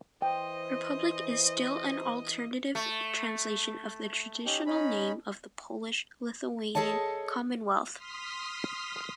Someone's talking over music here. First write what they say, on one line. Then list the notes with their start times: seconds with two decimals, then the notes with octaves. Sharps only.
"Republic" is still an alternative translation of the traditional name of the Polish-Lithuanian Commonwealth.
0.22 E3 C5 D#5 G5
2.75 A3
4.46 C#4 D#4 G4
4.66 C#4 D#4 B5
6.75 G#4 A4 C#5 D#5 A5
7.95 C6 D#6 F6 B6